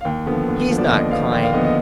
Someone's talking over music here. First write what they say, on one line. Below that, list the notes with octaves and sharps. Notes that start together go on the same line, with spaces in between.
He's not kind.
F5
D#2 G5
D3 F3 B3
D#2
D3 F3 B3
D5
D#2 D#5
D3 F3 B3 F5
D#2 G5
F5
D3 F3 B3 D#5
D#5